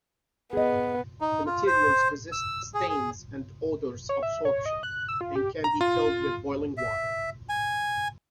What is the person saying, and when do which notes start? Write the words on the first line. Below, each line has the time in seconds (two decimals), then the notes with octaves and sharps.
The materials resist stains and odors absorption, and can be filled with boiling water.
0.53 B3 G#4 D#5
1.21 D#4
1.46 F4
1.67 C5
2.32 E6
2.74 G#4
2.89 G#4
4.09 C#5
4.23 E5
4.45 C#5
4.66 D#5
4.83 F#6
5.08 E6
5.21 F4
5.35 G4
5.64 A#5
5.81 F4
6.77 E5
7.49 G#5